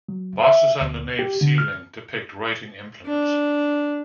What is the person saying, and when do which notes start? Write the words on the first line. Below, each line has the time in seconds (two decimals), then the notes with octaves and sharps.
Bosses on the nave's ceiling depict writing implements.
0.08 F#3
0.44 E5
0.81 D2
1.19 G4
1.41 D3
1.58 F6
3.06 D4